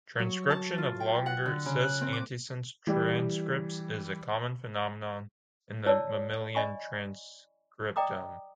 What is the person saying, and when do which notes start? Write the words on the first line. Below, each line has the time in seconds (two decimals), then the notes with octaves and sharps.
Transcription of longer "cis"-antisense transcripts is a common phenomenon in the mammalian transcriptome.
0.19 F#3
0.50 A5
0.78 F4
1.00 G5
1.26 F#5
1.46 D3
1.66 C#3
1.81 F#6
2.01 C4
2.13 D6
2.87 E3 G3 G4
5.86 E4 C#5 D5 A5 E6
6.55 D5 D#5 G#5 B5 C#6
7.96 D5 D#5 G5 A#5 D6 D#6